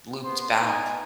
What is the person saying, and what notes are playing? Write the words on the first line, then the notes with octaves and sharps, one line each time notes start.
looped back,
B3 C5 C6
B3 D#4 G#5